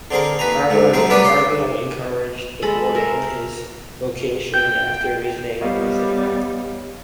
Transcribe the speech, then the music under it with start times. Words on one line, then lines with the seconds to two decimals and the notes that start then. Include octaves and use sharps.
However, the Cardinal encouraged the boy in his vocation after visiting with him.
0.11 D3 C4 G#4 A#4
0.39 D#2 B4 G#5 A#5
0.70 D2 G#2 A3
0.93 F#3 A3 C4 G#4 A#4
1.10 G3 B3 A#4 B4 C#5 D5
1.23 C#5 D5 C6
2.62 G#3 A4 B5
2.95 A#4 E5
4.54 G5 G6
5.61 G3 B3 C#5 D#5 F5